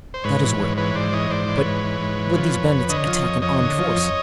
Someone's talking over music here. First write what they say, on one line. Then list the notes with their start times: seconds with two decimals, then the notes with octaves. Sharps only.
"That is well: but would these bandits attack an armed force?"
0.14 C5
0.24 G#2 B4 C#5
0.43 E3
0.59 G#2
0.77 E3 B4 C#5
0.95 G#2 C5 D5
1.13 E3 C#5 D#5
1.30 G#2 C5 D5
1.48 E3
1.56 B4 C#5
1.65 G#2
1.84 E3
2.01 G#2
2.18 E3
2.36 F3
2.54 F2
2.71 F2
2.89 D3 C#5 D#5
3.07 F3
3.25 F2
3.42 F2 C#5 D#5
3.60 D3
3.78 F3
3.96 F2